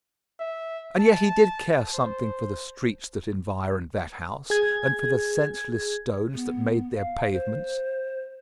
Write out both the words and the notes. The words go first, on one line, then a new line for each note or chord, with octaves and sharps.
And yet he did care something for the streets that environed that house, and for the senseless stones that made their pavements.
E5
A5
C5
G#4 G#6
B3
F5
C5